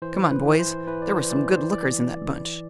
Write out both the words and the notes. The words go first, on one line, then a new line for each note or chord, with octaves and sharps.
"Come on, boys--there were some good lookers in that bunch."
E3 C5
B4
E3
C5
E3 B4
D5
C5
E3 D5
C5
D5